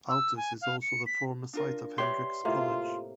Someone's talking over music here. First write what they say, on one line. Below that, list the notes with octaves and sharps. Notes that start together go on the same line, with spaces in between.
Altus is also the former site of Hendrix College.
E6
G#5
F5
C#7
B6
D4 F4 A#4
G4 B4 C#5 D5 E5 C6
A2 C3 A#3 F4